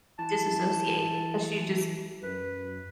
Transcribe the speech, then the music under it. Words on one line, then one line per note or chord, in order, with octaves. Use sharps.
disassociate 'cause she just
E3 A5
F#2 B4